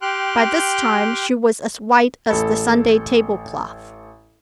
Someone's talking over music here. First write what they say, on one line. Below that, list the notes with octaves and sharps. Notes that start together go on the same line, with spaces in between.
By this time she was as white as the Sunday tablecloth.
G4 G5 C6 F6 F#6
A1 A4 B5